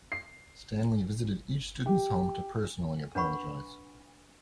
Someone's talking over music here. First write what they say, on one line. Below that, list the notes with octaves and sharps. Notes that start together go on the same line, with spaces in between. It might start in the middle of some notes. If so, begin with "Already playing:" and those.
Stanley visited each student's home to personally apologize.
C7
G4
D4 B4 F#5 B5 C#6